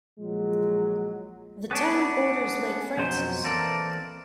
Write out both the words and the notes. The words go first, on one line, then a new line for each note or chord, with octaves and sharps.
The town borders Lake Frances.
A#2 F3 F#3 G#3
B3 C#4 D4
F2 B2 F#3 C5
E3 A#3 C4 A4 A#4 D5